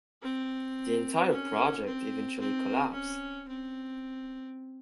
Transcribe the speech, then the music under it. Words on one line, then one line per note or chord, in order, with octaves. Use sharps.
The entire project eventually collapsed.
C4
C#4
C4
C4
C#4
C4